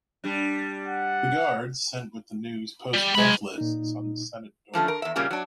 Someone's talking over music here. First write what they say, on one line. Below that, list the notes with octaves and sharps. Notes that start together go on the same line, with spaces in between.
The guards sent with the news post death lists on the senate door.
G3 D4
F#5
G3
F#3 G#3 B5
A#2 D#4
D3 F3 A3 C#4
A#4
E2 E5
A#2 C#3 G3 A#3 C#4 F4
F#3 D4